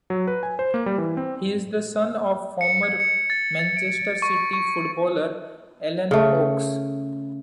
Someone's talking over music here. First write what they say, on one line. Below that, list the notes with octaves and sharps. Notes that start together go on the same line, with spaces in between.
He is the son of former Manchester City footballer Alan Oakes.
F#3
B4
G#5
C5
A#3
G3
E3
C4
C#7
G#6
C#7
A6
A6
D7
C#6
C#6
C#3 A3